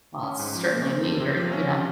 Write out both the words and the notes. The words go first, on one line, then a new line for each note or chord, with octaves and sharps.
uh, certainly need or yeah
C#4
G#2
F3
A#3
C4
F2
C3
F3
C#4